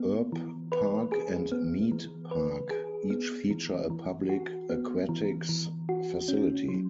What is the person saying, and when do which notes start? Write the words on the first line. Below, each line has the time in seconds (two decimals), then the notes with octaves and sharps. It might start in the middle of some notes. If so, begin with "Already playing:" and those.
Erb Park and Mead Park each feature a public aquatics facility.
Already playing: B3
0.32 E3
0.72 B4
1.12 G#4
1.52 B3
1.92 E3
2.31 B4
2.71 G#4
3.10 B3
3.50 E3
3.90 E3
4.29 F#4
4.70 B3
5.09 E3
5.49 E3
5.89 F#4
6.28 C#4
6.68 F#3